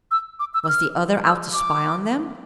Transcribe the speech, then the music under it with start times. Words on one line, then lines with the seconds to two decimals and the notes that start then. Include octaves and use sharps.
Was the other out to spy on them?
0.11 E6
0.40 D6
0.54 E6
0.64 E6
0.68 F6
1.25 E6
1.53 D6